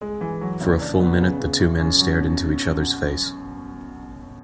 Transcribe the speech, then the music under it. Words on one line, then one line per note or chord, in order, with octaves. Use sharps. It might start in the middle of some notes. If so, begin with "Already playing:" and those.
For a full minute the two men stared into each other's face.
G#3
E3
F#3
F#1
D4
B3
C#3
C#3
F#2
F#2
F#3
B2